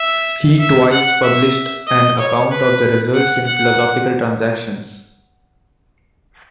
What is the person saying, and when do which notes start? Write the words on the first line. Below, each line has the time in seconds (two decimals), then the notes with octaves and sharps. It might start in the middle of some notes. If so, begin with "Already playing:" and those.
He twice published an account of the results in Philosophical Transactions.
Already playing: E5
0.59 E5
0.91 F#5
1.23 E5
1.87 D#5
2.19 C#5
2.51 B4
3.14 F#5
3.46 F#5